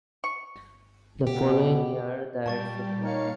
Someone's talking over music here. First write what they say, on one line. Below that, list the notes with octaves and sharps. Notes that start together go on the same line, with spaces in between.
The following year, the e.t.c.
C#6
B2 G4
A#2 G3 G4 A5 C#6 A6
A#3 D#4 A#4 C#5 F5 C#7